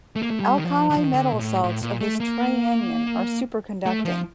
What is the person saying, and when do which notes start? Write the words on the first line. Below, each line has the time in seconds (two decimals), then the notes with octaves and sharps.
Alkali metal salts of this trianion are superconducting.
0.16 A3
0.22 A#3
0.30 A3
0.40 G3
0.58 D#3
0.65 F3
0.90 D#3
0.97 F3
1.04 D#3
1.14 D3
1.33 A#2
1.39 A2
1.64 A2
1.82 A#2
2.01 A3
2.20 A#3
3.86 A3
4.05 F3